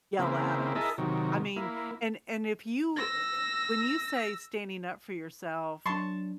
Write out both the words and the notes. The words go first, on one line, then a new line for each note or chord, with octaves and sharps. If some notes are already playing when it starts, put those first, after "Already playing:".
yell at us." I mean and and if you eh eh when you say standing up for yourself,
C#3 A#3 C4 E4
E4 G#4 A#4 D#5 E5 A5
C3 D#3 F#3
A#3 E4
E6 A#6
F#3 D4 A5 C6 C#6